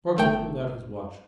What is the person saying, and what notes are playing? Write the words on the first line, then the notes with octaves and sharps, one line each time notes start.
Spargo pulled out his watch.
G1 A3 G5